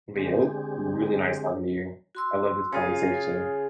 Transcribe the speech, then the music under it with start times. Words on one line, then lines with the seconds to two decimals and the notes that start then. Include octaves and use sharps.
but, yeah, it was really nice talking to you. I love this conversation.
0.16 D3 G#3 C4 G4 G#4
2.15 F#4 C6 E6
2.73 C#3 F4 G#4 C#5